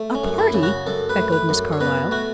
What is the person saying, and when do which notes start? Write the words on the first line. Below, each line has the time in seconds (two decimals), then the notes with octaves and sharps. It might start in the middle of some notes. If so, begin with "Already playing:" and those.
"A party!" echoed Miss Carlyle.
Already playing: A3
0.15 C#4
0.24 F#2
0.38 E4
0.54 C#3
0.63 F#4
0.87 F#2 A4
1.09 B4
1.17 A3
1.32 B4
1.49 F#2
1.73 C#5
1.80 B2 B4
2.11 A3 F#4